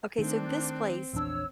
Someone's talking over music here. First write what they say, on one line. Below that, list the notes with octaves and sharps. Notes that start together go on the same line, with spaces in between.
Okay, so this place
D#3 A3 C4 D4
A#1 E2 D4 C#5 E6